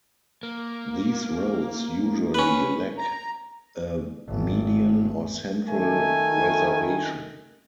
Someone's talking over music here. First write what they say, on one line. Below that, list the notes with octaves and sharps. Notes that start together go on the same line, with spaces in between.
These roads usually lack a median or central reservation.
A#3
C#4 B4
A#5
G#1
D#3 A3 G#5